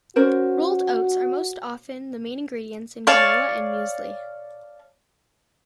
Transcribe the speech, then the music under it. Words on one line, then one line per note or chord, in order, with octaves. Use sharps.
Rolled oats are most often the main ingredient in granola and muesli.
C#4 F#4 A#4 C5
C#5 D5 F5 A5